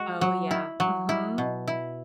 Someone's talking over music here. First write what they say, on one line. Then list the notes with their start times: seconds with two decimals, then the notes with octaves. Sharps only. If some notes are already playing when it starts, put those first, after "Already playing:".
Oh, yeah, mhm.
Already playing: G#3 F#4
0.21 F#3
0.51 E4
0.80 F#3
1.09 E4
1.38 B2
1.68 E4